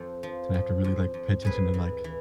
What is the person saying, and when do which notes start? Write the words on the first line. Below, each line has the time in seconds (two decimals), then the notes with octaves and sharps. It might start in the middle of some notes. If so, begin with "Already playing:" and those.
so I have to really, like, pay attention to, like,
Already playing: F2 A4 C5
0.23 F3
0.54 F2
0.84 F2
1.14 F2
1.42 A2 G#4 B4
1.74 E3
2.04 E3